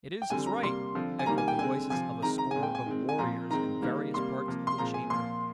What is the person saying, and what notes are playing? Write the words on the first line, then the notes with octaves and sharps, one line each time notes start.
"It is his right," echoed the voices of a score of warriors in various parts of the chamber.
G5
D3 G3 C4 G#5
A#5
C3 G3 A#3 C6
D3 F3 C4
G#5
D#3 G3 A#3 A#5
G#5
G5
D3 G#3 C4 G#5
C3 F3 C4 G#5
D#3 G#3 C4 A#5
A#5
A#2 G#3 C4 G#5
G5
G#5
D#3 G#3 C4
G#5
A#2 F3 C4 A#5
D#3 G#3 C4 A#5
D#3 G3 A#3
C3 G3 A#3 C6
C3 F3 A#3
C6
A#2 F3 G#3 C4 A#5
G#5
A#2 F3 A#3 C6